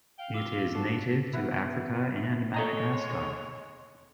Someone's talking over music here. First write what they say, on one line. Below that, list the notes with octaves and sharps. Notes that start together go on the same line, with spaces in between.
It is native to Africa and Madagascar.
F5 G5
F4 D6 E6 G7
D4 F#4 A4 A5
B3 E4 B4 F#5
G#3 A4 C#5 D#5 A#5